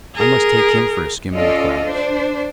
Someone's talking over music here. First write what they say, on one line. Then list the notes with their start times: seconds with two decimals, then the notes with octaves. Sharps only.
I must take him for a skim in the clouds.
0.15 G#4 A#4
1.32 C#4 F4 A4 D5 D#5
1.83 D4 C5